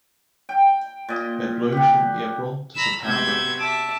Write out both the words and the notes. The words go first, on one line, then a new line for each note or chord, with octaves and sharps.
It blooms from April to September.
G5
A#2 D#5
G4 F#5
A#5 B5 E6
C3 B3 F#4 E5 G6 G#6
E5 A5 D6